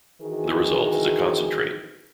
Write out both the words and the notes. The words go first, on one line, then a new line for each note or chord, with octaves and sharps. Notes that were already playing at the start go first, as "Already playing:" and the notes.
The result is a concentrate.
D#3 E3 F#4 G#4